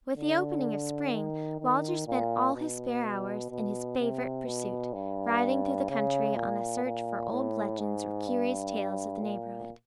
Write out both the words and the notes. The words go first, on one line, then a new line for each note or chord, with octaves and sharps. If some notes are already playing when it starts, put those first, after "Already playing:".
With the opening of spring Walter spent all his spare hours in his favorite pursuit, riding through the country on a search for old legends or curious tales of the neighborhood.
D3
D#3
D#3
A#2
B2
B2
C3
B2
G2
C#3
A#2
A#2
A2
G#2
G2
A#2